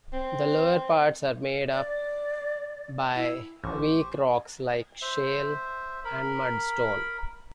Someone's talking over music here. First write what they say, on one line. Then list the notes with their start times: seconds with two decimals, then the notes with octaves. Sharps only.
The lower parts are made up by weak rocks like shale and mudstone.
0.13 C4
1.72 D5
3.15 E4
3.64 A1 G4 C5 C#6
5.02 C5 E5
6.04 A#4 B5